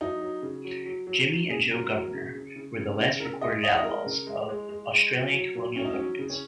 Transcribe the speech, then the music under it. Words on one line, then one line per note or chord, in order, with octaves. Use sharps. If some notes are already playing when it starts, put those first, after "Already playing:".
Jimmy and Joe Governor were the last recorded outlaws of Australian colonial governments.
F#3 D#4
F#3
C#3
F#3
F#3
F#3
F#3
C#3 G#4
F#3 A#4
F#3
C#3
C#3
C#3
C#3
C#3
C#3 A#4
G#3 D#5
G#3 D#5
F#5
D#5
G#3 A#4
C#3
G#3
G#3
G#3
G#3
F#3
F#3
F#3
F#3 C#4
D#4
C#4
F#3
C#3
C#4